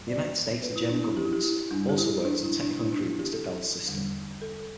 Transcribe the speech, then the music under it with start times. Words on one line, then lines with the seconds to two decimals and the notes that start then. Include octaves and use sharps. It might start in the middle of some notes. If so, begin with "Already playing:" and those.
The United States and German governments also worked on technical improvements to Bell's system.
Already playing: G2 G3
0.08 D5
0.62 B4
0.76 E4
0.89 D4
1.03 E4
1.17 G4
1.25 E4
1.33 G4
1.44 E4
1.71 G2 G3 D4
1.89 G4
1.98 E4
2.25 D4
2.43 E4
2.61 D4
2.79 E4
2.93 D4
3.06 E4
3.19 G4
3.33 A4
3.87 E2 D3 G3
4.42 A4